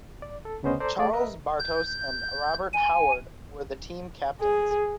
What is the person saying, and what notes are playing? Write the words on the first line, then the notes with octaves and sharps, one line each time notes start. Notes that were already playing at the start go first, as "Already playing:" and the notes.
Charles Bartos and Robert Howard were the team captains.
D5
A4
D2 C#3 B3 C#4 C5 D#5
A4 C5 D5 A#5
A3 G#4 D5 A5
A#4 B4 D#5 E5 A#5
G6
G#5
G#4